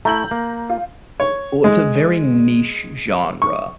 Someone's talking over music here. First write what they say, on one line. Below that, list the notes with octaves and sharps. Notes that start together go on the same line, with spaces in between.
Oh, it's a very niche genre,
A3 E4 A#5 G6 F#7
A#3
F4
C#5
G#3
C#6